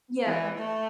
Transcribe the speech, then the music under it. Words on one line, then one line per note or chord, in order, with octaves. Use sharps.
Yeah, but
E3
A3